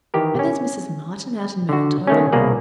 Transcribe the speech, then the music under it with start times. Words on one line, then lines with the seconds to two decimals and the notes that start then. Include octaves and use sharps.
And there's Mrs. Martin out in Manitoba.
0.14 D#3 E3 G4 A#4
0.39 C#4
1.69 D3 F#4
2.07 D#3 A3 C#4
2.32 C2 B2 A#3 G#4 D5 F#5